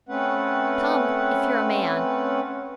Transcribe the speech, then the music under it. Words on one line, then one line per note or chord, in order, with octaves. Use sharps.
"Come--if you're a man!"
A3 C4 C#4 B4 F#5